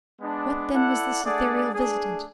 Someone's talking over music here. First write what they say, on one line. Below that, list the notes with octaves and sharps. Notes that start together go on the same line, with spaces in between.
What then was this ethereal visitant?
G#3 B3 D4
E4 A4 D5 F#5
A3 D4 G#4 D5 F#5
A3 D4 G#4